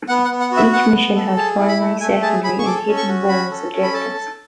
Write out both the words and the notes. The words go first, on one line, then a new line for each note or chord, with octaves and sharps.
Each mission has primary, secondary, and hidden bonus objectives.
B3 F#5
F#5
B3
F#5
F#4
E5
B3 F#5
B3
A4
G#4 A5
E4
B5
A3
A3 G#5
G#4 A5
G#4 B5
C#6
A4 D6
C#4
C#6
F#4
C#4 B5
A4
C#4
B5
A4 A5
A4